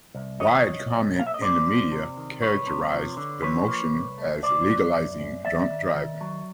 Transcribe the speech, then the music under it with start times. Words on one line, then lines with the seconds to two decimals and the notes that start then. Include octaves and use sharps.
Wide comment in the media characterised the motion as legalising drunk driving.
0.15 C2
0.40 D#3 C#5 D#5
0.66 C2
0.90 B1
1.16 A#3 F5
1.27 E5
1.34 D#5
1.41 A#3 C5 D5
1.66 F3
1.92 C3
2.17 D#3
2.42 C2 B4 C#5
2.67 C3
2.92 F3
3.17 D3
3.43 F3 B4 C#5
3.68 A#3
3.94 C2
4.18 A3
4.43 C2 C5 D5
4.69 F#3
4.94 F#2
5.19 F#2
5.45 F#3 D5 E5
5.70 D#3
5.95 D#3
6.21 F#3